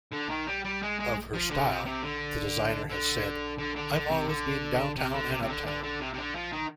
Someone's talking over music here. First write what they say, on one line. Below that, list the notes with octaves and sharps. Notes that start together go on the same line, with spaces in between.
Of her style, the designer has said: I've always been downtown and uptown.
D3
D#3
G3
G3
G#3
G#3
F3
D3
C3
C3
D3
D3
D3
D3
D3
C3
D3
C3
D3
C3
C3
D3
D3
D3
C3
C3
D3
F3
D#3